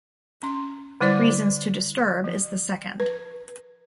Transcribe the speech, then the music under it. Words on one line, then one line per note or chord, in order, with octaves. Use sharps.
"Reasons to Disturb" is the second.
C#4 C6
D3 G3 E4 C5 D5 D6
F3
B4